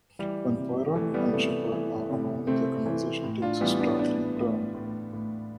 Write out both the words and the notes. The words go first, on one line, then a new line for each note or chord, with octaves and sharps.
When Poirot and Sheppard are alone, their conversation takes a startling turn.
E3 G3
C3
E3 A3
G3 B3
C3 A3
E3
C3
C3 A3 C4
E3
A2
D4 F4
E3 G3 B3
B3 D4
E3 B3 D4
A2
A2
A2